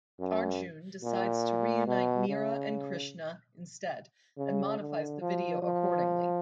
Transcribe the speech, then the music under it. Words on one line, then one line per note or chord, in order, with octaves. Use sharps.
Arjun decides to reunite Meera and Krishna instead and modifies the video accordingly.
F#2
A#2
B2
C#3
C#3
D3
F3
F3